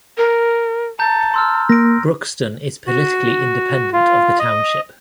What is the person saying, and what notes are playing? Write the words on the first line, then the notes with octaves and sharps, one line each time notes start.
Brookston is politically independent of the township.
A#4
A5 A#5 G6
C6 E6 F6
A#3 A#6 D7
F#4
F4
D#5